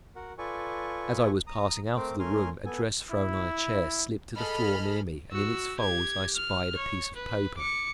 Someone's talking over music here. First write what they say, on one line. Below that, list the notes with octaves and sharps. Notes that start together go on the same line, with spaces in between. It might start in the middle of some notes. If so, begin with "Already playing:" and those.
As I was passing out of the room, a dress thrown on a chair slipped to the floor near me, and in its folds I spied a piece of paper.
F#4 A#4 F#5
F4 A4 B4 D5 G#5 C#6
A#5 D#6
A3 C4 A#4 C5 D6
A3 C#4 A#4 G#5 C6 F6
B3 A4 G#5
E4
G#4 A4 D#5 B5 F6
F#4 E6
G4 G#6
F6
C#5
B4
D6 C#7